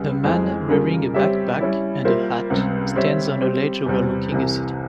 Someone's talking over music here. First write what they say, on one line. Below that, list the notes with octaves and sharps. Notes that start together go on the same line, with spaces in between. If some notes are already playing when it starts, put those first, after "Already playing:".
The man wearing a backpack and a hat, stands on a ledge overlooking a city.
Already playing: C#2 C#3 G3
F2 E3 G#3 C4
C#3 G3 A#3 F4 A#4
G3 C4 G4 C#5 E5
G3 C#4 E4
G3 A#3 F4 C5 E5
C#2 C3 G3
G3 C4 G4 C#5 E5
G3 C4 G4
E2 C3 G3 C4
C2 C3 E3